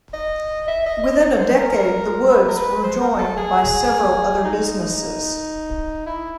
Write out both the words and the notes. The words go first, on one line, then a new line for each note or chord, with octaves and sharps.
Within a decade the Woods were joined by several other businesses.
D#5
E5
D#5
D#5
C#5
C5
A#4
A#4
B4
A#4
B4
C5
A#4
A4
G#4
D#4
E4